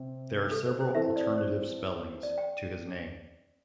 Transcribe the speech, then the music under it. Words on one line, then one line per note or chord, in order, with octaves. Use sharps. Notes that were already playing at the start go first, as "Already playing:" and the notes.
There are several alternative spellings to his name.
Already playing: C3 C4
A4
C5
C5
E3 C4 A4 E5
D5
C5
D5
G5